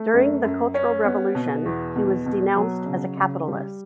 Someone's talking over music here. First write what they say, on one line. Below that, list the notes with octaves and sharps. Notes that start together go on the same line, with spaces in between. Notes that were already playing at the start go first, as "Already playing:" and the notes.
During the Cultural Revolution, he was denounced as a "capitalist".
Already playing: A3
F#2
F#2
C#4
B3
B2
E2
B2
B2
F#3
C#3
C#3
G3